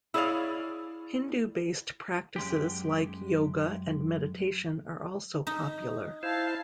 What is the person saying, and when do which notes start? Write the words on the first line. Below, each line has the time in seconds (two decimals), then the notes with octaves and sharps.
Hindu based practises like Yoga and meditation are also popular.
0.14 E4 G#4 C#5 D5 F5
2.36 F#2 G#3 G4
5.47 D#4
6.23 E4 C5 F5 A5